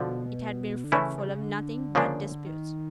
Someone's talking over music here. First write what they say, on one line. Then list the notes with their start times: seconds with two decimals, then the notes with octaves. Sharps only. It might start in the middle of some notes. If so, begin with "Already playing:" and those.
It had been fruitful of nothing but disputes.
Already playing: B2 D3 F3
0.84 D3
0.92 C#3 E3 A3 C#4 E4
1.18 C#3
1.43 D3
1.95 C#3 F3 A#3 D4
2.46 D#3